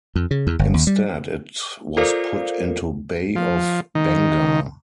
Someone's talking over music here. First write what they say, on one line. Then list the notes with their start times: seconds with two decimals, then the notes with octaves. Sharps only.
Instead it was put into Bay of Bengal.
0.16 F2
0.31 C#3
0.47 E2
0.59 G1
0.74 D#2
0.87 G3
1.97 F4 A4 A#4 C5 D5 F5
3.36 F3
3.95 D#3